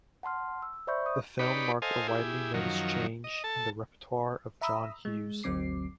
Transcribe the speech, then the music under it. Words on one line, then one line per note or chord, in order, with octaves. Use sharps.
The film marked a widely noticed change in the repertoire of John Hughes.
F#5 A5 C6 F6
E6
C5 D5 E5 B5 C#6 G6
D#6
D#4 G4 B4 C#5 D5 B5
A4 C5 D#5 F5 G#5
E4 G4 G#4
F#2 D#3 F3 F#3
D#5
A4 A5
E5 A#5 B5 D#6 E6
G#3
G1 D2 F#3 C4 D6 C7